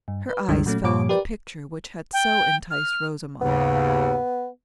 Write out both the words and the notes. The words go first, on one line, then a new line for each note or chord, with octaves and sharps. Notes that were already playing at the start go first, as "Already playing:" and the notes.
Her eyes fell on the picture which had so enticed Rosamond.
G2
B4
C2 F#2 D3 G3 G#3
A#2 F#3 A3 C#4
G2 A#2 G3 C#5 D6
G4 A#4 B4 D5
G5
F6
D#2 G#2 C#3 B3